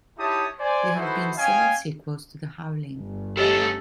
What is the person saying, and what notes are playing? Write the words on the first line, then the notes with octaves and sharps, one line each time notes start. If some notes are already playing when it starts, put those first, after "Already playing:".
There have been seven sequels to "The Howling".
D#4 E4 G4 C#5 A5 D#6
C5 D5 G#5
D#4 E4 F#4 A4 B4 C5
C#4 D#5 F5 G5 G#5
G1
A3 C#4 G4 A4 D#5